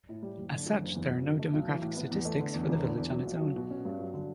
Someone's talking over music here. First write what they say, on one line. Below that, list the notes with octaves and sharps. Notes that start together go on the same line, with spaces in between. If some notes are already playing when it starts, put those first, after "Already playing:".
As such, there are no demographic statistics for the village on its own.
A2
G3
F#1
D3
F#2
F#1
E2
F#3
C#3
A3
B1
E3
A2
B3
E2
A3
D3
E2
E1
D3
E2
F#3
B1
F#3
B2
C#4
G2
F#3
D3